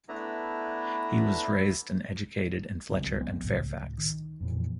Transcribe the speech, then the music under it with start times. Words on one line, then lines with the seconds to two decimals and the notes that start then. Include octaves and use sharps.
He was raised and educated in Fletcher and Fairfax.
0.09 A3 B3 D4 E4 B4 A#5
2.89 C#2 F#3 G#3 C4
3.20 F3 G#3 B3 C4
3.43 C#2 A2
3.98 D#3
4.41 F2 A#2 E3